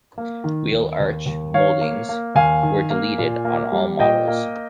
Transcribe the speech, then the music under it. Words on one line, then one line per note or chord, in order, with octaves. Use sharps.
Wheel arch moldings were deleted on all models.
A#3
D#3
D#2
D#2
D#2
D#3 C#5 F5
A#3
A#3
D#2 F5 G#5
D#3
A#3
A#2
A#3
G3
A#2 D#5 G5
A#3